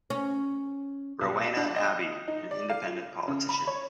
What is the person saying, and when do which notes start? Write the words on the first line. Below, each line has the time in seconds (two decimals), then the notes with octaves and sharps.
Rowena Abbey, an independent politician.
0.10 C#4
1.21 B1
1.57 D4
1.76 D#5
2.28 D#4
2.51 D5
2.70 F5
2.86 F4
3.28 C#3
3.49 B5
3.67 C#5